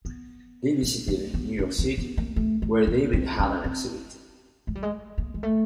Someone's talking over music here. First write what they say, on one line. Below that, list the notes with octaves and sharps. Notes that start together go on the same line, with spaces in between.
They visited New York City, where David had an exhibit.
B3
A#3
A#3
B3
C#4
C4
B3
A#3
A3
A3
A#3
C4
C#4
C4
G#3
G3
G#3
A#3
G#3
A3